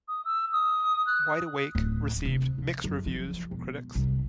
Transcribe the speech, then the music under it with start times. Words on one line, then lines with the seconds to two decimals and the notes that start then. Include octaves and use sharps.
"Wide Awake" received mixed reviews from critics.
0.08 D#6
0.25 E6
0.53 D#6
1.07 F#6
1.75 D1
2.25 C3
2.58 F3
2.84 F#2
3.06 F3
3.51 E1
3.95 C2